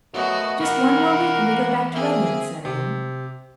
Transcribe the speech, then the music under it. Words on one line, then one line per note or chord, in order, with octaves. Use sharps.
"Just one more week and we go back to Redmond," said Anne.
F#3 A3 B3 F#4 A#4 C#5 D#5
E3 A#3 A#4 D#5 F5 F#5 B5
A#3 C4 G#4 E5
C3